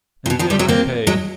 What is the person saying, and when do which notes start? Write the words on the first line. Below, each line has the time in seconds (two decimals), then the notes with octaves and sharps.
And then I pay.
0.26 A#2
0.30 B2
0.39 D#3 F3
0.50 F3 G3
0.59 F#3 G#3
0.68 A#3 C4
1.07 F#3 G#3